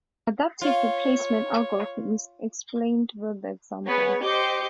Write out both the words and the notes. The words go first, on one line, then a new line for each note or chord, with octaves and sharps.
Adaptive replacement algorithm is explained with the example.
F4 C#5
B3 G#4 B4 C#5
G4 C5 D#5 D6 G6 C#7